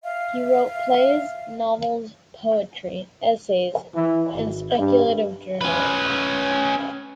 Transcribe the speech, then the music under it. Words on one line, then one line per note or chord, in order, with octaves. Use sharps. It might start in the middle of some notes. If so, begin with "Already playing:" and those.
He wrote plays, novels, poetry, essays and speculative journalism.
E5 F5
E3
G#1
G2
C#4 B4